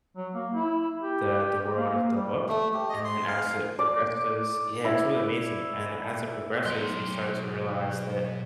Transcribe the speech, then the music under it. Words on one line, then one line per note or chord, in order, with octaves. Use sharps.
the the world of the book and then, as it progresses Yeah, it's really amazing, and as it progresses, he starts to realize that
F#3
A#3
E4
G4
A#3
G3
A3
G4
D#5
C6
F5
D5
E4
B2 F#3 C6